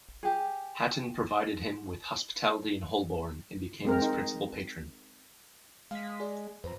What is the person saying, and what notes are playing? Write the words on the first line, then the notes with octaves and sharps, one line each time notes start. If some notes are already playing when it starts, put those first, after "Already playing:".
Hatton provided him with hospitality in Holborn and became his principal patron.
G4 G#4
G#3 C4 A#4
D#4
G#3 F5 B6
G#4 D5
F2 B4 C5 A#5